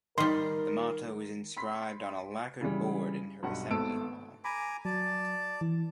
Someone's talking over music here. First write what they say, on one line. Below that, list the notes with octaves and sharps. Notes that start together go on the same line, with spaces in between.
The motto is inscribed on a lacquered board in her assembly hall.
D#3 G3 A#4 C6
B5 C6 B6
C#3 E3 G3
B1 G2 F#5
G#1 A3 B3 A5 E6 D7
G#5 A#5 B5 D6
F#3 D5 A5
E3